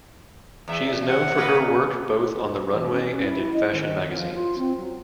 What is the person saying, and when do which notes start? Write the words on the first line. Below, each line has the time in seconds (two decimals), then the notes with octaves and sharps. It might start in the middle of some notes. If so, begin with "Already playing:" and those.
She is known for her work both on the runway and in fashion magazines.
0.68 E2 E5
1.09 F#5
1.38 A#3 A#4 B4
2.73 E3
2.91 C#4
3.21 E4
3.53 D#5
3.72 D#3
4.11 F3
4.34 F4
4.58 C4
4.77 F#3